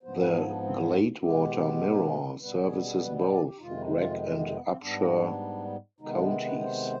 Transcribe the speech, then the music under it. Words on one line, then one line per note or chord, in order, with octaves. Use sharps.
The "Gladewater Mirror" services both Gregg and Upshur counties.
G#2 F3 B3 C5
B4
D4
D4
C4
C4
B2 G#3 B3 G4
B2 G3 B3 B4
G#4
G#4
G#4
B4
C5
D5
G4
D#4
F2 C3 D#3 G#3 F4
D#4
F4
B3
C4
B3
B3
C4
G#2 G3 B3 D4
C3 D#3 G#3 B3 D#4
D4
C4
B4
C5